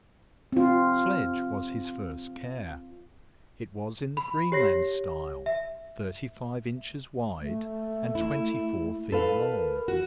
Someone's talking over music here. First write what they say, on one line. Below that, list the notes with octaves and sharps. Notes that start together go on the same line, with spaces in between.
The sledge was his first care; it was in the Greenland style, thirty-five inches wide and twenty-four feet long.
C4 F4
B5
G4 C#5 A#6
E5
A3
E4
A4 B4 F5
A#4
F#4